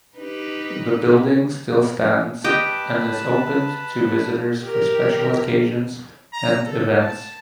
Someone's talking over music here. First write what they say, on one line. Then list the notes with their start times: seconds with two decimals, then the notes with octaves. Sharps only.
The building still stands and is opened to visitors for special occasions and events.
0.18 D#4 G4 B4
2.44 G4 B4 D#5 G5 A5
4.62 G4 A#4
6.33 A#5
6.65 A4
7.01 A5